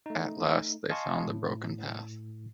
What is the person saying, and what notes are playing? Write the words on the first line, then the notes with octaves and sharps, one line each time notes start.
At last they found the broken path.
A3 D#4
D#5 F5 G#5 A5 C6 C#6
A2